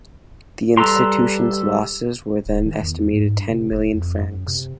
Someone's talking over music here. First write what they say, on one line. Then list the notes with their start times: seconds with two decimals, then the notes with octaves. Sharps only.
The institution’s losses where then estimated ten million Francs.
0.77 G3 A4 B4 A#5 C6
2.45 D1
2.66 D#3
2.83 E2
3.13 G#2
3.36 G2
3.50 C3
3.71 F1
3.94 F2
4.20 F#2
4.47 C3